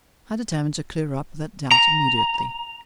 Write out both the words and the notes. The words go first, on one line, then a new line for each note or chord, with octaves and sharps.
I determined to clear up that doubt immediately.
A#5